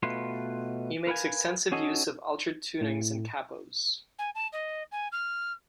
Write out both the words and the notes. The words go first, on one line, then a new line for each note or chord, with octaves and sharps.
He makes extensive use of altered tunings and capos.
B2 A3 F4 B4 C6
A#4 B4 F5 G#5
C#4 F#4 G#4 A4 D#5
A2
G#5
A5
D#5
G#5
F6